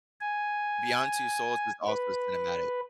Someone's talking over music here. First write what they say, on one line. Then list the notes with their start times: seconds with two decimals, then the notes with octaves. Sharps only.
Beyond Two Souls is also cinematic.
0.21 G#5
1.87 B4